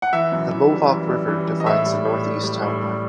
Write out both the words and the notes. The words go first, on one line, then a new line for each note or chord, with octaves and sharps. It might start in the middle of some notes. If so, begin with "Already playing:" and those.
The Mohawk River defines the northeast town line.
F#5
E3 E5
F#2
E3
G3
E3
G3
E3
E3
D#5
A2 E5
G3
A2
G3
G3
A2
G3